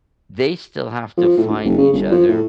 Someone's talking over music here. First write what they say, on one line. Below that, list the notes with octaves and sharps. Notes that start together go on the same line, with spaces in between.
they still have to find each other
F3
A2
D2
F#1
C#3
G1
F3
A2